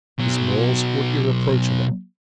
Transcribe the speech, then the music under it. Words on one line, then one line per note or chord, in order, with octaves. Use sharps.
His morals were irreproachable.
B2 F#3